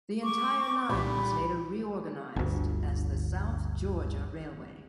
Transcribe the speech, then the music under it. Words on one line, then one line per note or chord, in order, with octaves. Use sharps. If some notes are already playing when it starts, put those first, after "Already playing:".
The entire line was later reorganized as the South Georgia Railway.
C#6 D6
C2 A#2 G4 B5
G1 D2